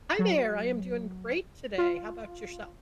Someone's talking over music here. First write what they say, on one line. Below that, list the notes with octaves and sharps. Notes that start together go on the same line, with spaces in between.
Hi there, I am doing great today, how 'bout yourself?
F#3
F4